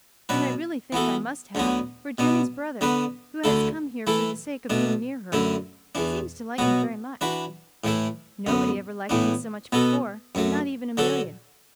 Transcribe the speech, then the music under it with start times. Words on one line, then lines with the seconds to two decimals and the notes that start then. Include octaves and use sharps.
And I really think I must have, for Jenny's brother, who has come here for the sake of being near her, seems to like me very much. Nobody ever liked me so much before, not even Amelia.
0.29 B2 F#3 D4 B4
0.92 E3 B3 F#4 A4
1.55 D2 D3 F#3 B3 F#4
2.18 B2 B3 D4
2.81 D3 B3 D4 B4
3.44 D2 D3 A3 E4 A4
4.07 E3 A3 E4 A4
4.70 B2 A3 D4
5.32 F#2 D3 A3 E4
5.95 E2 E3 D4
6.58 B2 F#3 B3 F#4
7.21 E3 D4 F#4 B4
7.84 A2 E3 A3 E4
8.47 F#2 D3 B3
9.09 A2 E3 B3 D4
9.73 B2 B3 F#4 A4
10.35 F#2 F#3 A3
10.97 D3 F#3 D4 F#4 A4